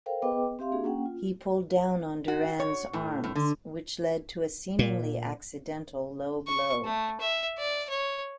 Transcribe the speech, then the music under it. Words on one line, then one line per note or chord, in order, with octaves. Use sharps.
He pulled down on Duran's arms, which led to a seemingly accidental low blow.
A4 A#4 C5 F5 G5
B3 G#4 B4 D#5 G5 D6
C4 G4 E5 F5 C6
A#3 D4 F#4 G#4
A#3 C#4 F#5 G5
F4
F#4
C#5
A2
A2
D3
A#2
C#6
A3
E5
D5
C#5